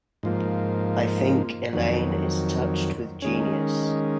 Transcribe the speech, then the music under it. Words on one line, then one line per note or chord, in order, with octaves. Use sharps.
I think Elaine is touched with genius.
G#2 F3 A#3
F2 D#3 F#3
D#3 G#3 C#4